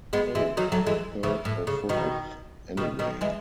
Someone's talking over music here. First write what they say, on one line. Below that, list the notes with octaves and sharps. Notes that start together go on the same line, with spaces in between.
Oh, third or fourth, anyway.
G#3 B3
E3 G#3
D#3 F#3
F#3 A3
E3 G#3
C#3 E3
A2
C#3
B2 D#3
B2 D#3
B2 D#3
E3 G#3